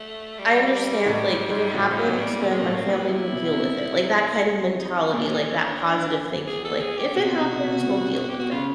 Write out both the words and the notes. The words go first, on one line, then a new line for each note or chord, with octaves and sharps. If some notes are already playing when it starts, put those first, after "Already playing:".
I understand, like, if it happens, then my family will deal with it, like, that kind of mentality, like, that positive that thinking, like, if it happens, we'll deal with it.
Already playing: A3
G3
A2
G#2
G#2
A2 F#3
G#2 F3
F#3
A2
A#2 G3
A#2 A3
G#3
A#2 A3
A2
A#3
A#2 B3
A#2 E4
B2
C3
D#4
A#2 D4
D#4
C#4
D4
C#4
D4
G#4
A4
G#4
G4
B2 F#4
C3
B2
C3
B2
C3
B2
C3
B2
C3
B2
C3
B2
G4
F#4
C#3 F4